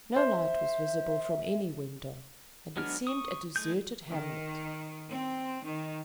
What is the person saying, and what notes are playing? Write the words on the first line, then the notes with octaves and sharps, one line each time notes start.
No light was visible from any window, and it seemed a deserted hamlet.
C5 E5
F#3 G#3 B3 D4 F6
C#6 D#6
G#3 A3 G#4 G6
D#3
C4
D#3